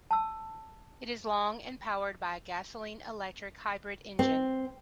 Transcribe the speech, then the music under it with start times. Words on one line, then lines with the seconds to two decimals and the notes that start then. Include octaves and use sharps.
It is long and powered by a gasoline-electric hybrid engine.
0.11 A5 E6
4.19 C4